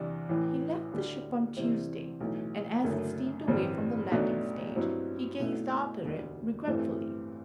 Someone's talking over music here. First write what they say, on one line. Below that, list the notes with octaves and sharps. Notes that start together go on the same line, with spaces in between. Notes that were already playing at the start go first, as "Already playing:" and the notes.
He left the ship on Tuesday, and as it steamed away from the landing-stage he gazed after it regretfully.
Already playing: E2 C3 G3 D4
A1 A2 E3
D2 D3 G3
E2 C3 G3 C4 E4
B1 A2 E3 A3
F#1 F#2 D3 A3
A1 G2 D3 G3 C4
B1 B2 F#3 A3 D4
G2 F#3 C4 E4
B1 B2 A3 E4
E1 D2 D3 G3
A1 G2 E3 A3 C4